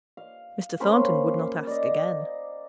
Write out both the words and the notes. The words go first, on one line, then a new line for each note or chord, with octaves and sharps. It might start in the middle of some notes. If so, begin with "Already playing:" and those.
Mr. Thornton would not ask again.
F5
A#3 C#4 C5 B5
D5 D#5